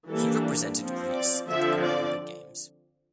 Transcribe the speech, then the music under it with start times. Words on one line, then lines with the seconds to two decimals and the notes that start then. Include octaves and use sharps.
He represented Greece at the Paralympic Games.
0.09 E3 G3 A#3 D4 A4
0.79 F3 C4
1.13 D5
1.47 D3 F3 C4 E5
1.83 D5